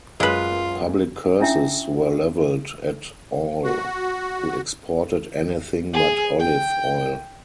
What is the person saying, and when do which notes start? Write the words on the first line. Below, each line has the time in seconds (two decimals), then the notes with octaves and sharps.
Public curses were leveled at all who exported anything but olive oil.
0.20 F#2 G#3 F4 B4
1.40 C#4 D4 E4 E5 G5
3.64 F#4
5.94 G#4
6.39 G5